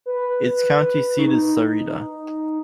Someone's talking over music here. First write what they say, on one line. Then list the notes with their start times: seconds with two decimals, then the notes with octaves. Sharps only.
Its county seat is Sarita.
0.06 B4
1.19 D#4